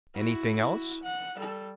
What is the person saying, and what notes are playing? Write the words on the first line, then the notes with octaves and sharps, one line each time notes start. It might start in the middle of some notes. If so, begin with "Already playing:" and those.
"Anything else?"
E4 F#4
F#5
G3 A4